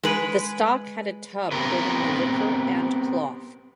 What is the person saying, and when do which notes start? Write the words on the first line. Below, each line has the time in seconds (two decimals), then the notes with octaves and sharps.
The stock had a tub holding the liquor and cloth.
0.03 G#3 B4
1.51 B3 C4 G4 A#4 B4